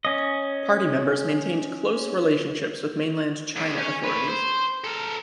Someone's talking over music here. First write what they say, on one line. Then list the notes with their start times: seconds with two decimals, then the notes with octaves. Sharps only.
Party members maintained close relationships with Mainland China authorities.
0.05 C#4 D#5
3.56 E2
3.78 C#4
4.04 B4 C#5
4.28 C5
4.84 A4 A#4